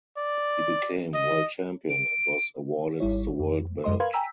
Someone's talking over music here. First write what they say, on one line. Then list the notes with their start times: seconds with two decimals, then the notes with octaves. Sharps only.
He became World Champion and was awarded the world belt.
0.17 D5
1.14 D#5
1.90 D7
3.00 G#1 G3 E4 C#5
3.40 F2
3.84 F#2 G#3 D#5 C6
4.00 A#4 B4 F5 C6 G#6
4.13 G5 G#5 A#5 E6 B6